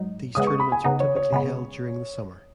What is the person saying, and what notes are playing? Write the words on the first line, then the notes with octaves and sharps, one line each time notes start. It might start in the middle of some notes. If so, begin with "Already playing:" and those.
These tournaments are typically held during the summer.
Already playing: G#2 F#3 D#4
C#3 G#3 B3 D#6
C#6
B5
G#5
C#3 B3 D#4 F#5
C#5
C#5
C#3 G#3 B3